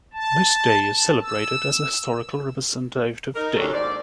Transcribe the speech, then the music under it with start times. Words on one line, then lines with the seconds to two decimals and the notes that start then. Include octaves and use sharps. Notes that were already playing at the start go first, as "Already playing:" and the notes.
This day is celebrated as a historical representative day.
0.13 A5
1.23 E6
3.35 D#4 A#4
3.56 D#2 F#3 C#4 D4 A4
3.73 G#2 C5 D5